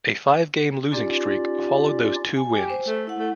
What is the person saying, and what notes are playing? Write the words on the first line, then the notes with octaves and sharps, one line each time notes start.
A five-game losing streak followed those two wins.
C#4 D#4 F4 G4 D5
G#5
G4
C5
A3
E4 F#5
A3